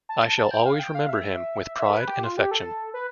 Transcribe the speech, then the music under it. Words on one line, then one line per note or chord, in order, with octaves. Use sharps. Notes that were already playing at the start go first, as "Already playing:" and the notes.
I shall always remember him with pride and affection.
A5
A5
A5
G5
F5
G5
F5
E5
E5
A4
B4
G4
F4
G4
A4
B4